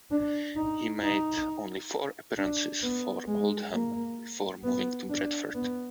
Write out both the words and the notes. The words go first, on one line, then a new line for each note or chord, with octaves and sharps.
He made only four appearances for Oldham before moving to Bradford.
D4
D#4
D#4
D4
B3
G#3
A#3
B3
D4
B3